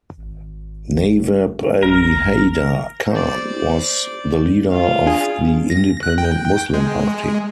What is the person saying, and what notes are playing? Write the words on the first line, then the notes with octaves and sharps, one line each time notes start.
Nawab Ali Haider Khan was the leader of the Independent Muslim Party.
G#1
A1 A#4
C5 D5
F4 F5
D4 G#4
A#6
F#6
G5
G#3